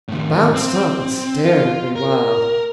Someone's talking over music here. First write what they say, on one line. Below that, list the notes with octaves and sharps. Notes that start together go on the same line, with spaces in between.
He bounced up and stared at me wild.
A2 D#3
C4
F4
A#4